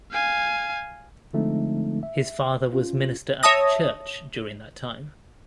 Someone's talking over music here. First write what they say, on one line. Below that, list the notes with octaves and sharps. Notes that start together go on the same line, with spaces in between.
His father was minister at the church during that time.
F5 G#5
D3 F3 G#3 A3 C4 D#4
E5
C#4 F4
C#5 E5 A5 D#6 A#6